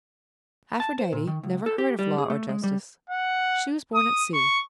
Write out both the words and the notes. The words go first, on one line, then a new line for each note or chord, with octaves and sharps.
Aphrodite never heard of Law or Justice: she was born at sea.
A5
C5
A#2
D#3
C#2
A4
G4
G3
G#4
A3
G#3
G3
F#5
D#6
C#6